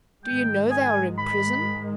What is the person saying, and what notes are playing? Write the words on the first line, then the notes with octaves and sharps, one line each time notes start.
"Do you know they are in prison?"
G#2 D#3 G#3 G5
G#5
B5